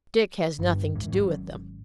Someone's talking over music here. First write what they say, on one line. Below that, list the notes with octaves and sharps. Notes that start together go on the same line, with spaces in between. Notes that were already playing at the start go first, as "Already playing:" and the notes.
Dick has nothing to do with them.
G1 G2
G#2 E3
G#1 E2 F#3 C#4